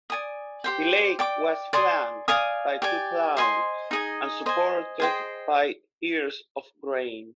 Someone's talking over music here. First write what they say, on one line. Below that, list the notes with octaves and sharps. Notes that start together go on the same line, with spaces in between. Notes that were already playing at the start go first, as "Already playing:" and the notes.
The lake was flanked by two ploughs and supported by ears of grain.
D5 G#5 D#6
G4 C5 G5
D5 G5 D6
D5 G#5 C6 D#6
D5 F5 G#5 D#6
G4 D5 G#5
C5 D#5 G#5 C6
D#4 G#4 D#5 G#5
C5 D#5 G#5
G#4 C5 D#5 G5